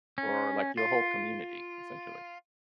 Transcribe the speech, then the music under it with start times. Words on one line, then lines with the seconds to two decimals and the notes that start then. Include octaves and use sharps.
for, like, your whole community, essentially.
0.18 C#4
0.77 F4